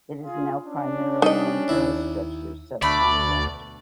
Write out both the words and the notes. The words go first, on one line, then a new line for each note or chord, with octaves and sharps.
It is now primarily an aerostructures subcontractor.
F4 G#4
C#4 D4
G3 D#4 D#5
D#2 E4
D2 B2 A3 D4 D5 B5